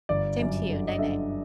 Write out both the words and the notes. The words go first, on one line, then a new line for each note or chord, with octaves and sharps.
Same to you, night night.
G1 D5
F#2
D3
D#5
D3 E5